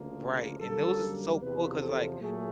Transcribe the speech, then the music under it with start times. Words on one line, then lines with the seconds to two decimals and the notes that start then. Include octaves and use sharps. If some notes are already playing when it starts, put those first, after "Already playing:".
Right. And those are so cool 'cause, like,
Already playing: D2 C#3 F3 A#3
0.20 G#4
0.60 F#2 D3 G3 A#3 A4
1.40 E2 C3 F3 B4
1.80 A4
2.21 A#2 F#3 A3 G#4